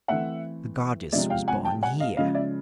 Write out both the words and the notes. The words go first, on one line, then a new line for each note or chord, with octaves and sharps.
The goddess was born here.
E3 A3 C4 E5 F#5
C3 F3 G#3 D5 E5
F5 G5
F#5 G#5
G5 A5
F#5 G#5
D#5 F5
C#3 F3 G#3 C#4 D#5 F5
D5 E5